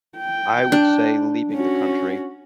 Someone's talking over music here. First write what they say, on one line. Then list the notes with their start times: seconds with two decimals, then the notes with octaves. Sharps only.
I would say leaving the country,
0.17 G5
0.72 D4
1.53 C#4 F#4